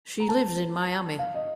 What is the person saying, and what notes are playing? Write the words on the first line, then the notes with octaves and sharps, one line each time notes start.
She lives in Miami.
A#5
A5
F5
D#5